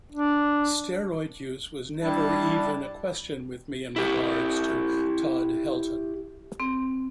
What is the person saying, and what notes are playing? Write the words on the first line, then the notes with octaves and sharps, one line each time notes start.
Steroid use was never even a question with me in regards to Todd Helton.
D4
G3 D4 E4 A5
E4 G4
C4